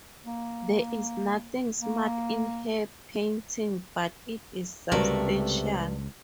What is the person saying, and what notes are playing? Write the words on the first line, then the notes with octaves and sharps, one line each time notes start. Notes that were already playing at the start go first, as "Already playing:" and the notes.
There is nothing smart in her painting, but it is substantial.
A#3
A#3
C#2 G2 C3 A3 F#4 A#4